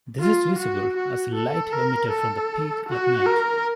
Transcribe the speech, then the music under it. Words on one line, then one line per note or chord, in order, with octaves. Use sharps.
This is visible as light emitted from the peak at night.
F4
F#4
F#4
A4
A#4
A4
F#4
A#4